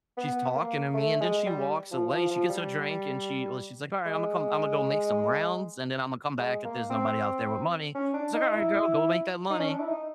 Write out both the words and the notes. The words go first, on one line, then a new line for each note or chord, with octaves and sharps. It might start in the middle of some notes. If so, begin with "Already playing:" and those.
she's talking to me, and then she walks away. She gets her drink, and she well, she's like, "Alright, Imma come Imma go make some rounds, and then Imma come back if there's nobody out there with money." So, then I go, "Go make that money."
B3
A#3
A3
G#3
G3
F3
F3
F3
G3
G#3
G#3
A#3
C4
C#4
D4
D#4
E4
D#4
C#4
D4
E4
D#4